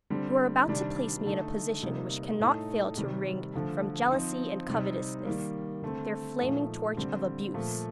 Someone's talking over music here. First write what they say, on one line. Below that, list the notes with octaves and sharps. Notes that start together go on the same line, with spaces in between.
You are about to place me in a position which cannot fail to wring from jealousy and covetousness their flaming torch of abuse.
D3 G3 C4
C3 D#3 G3 D4
D3 A3 D#4
C3 G3 A#3 D#4
A2 A3 D#4
C3 D#3 G3
D3 F3 A3
F3 C4 D#4
C3 G3 C4 D#4
D#3 G3 A#3
D3 A3 C4
A#2 F3 A3 D#4
D3 G3 C4
A#2 F3 A3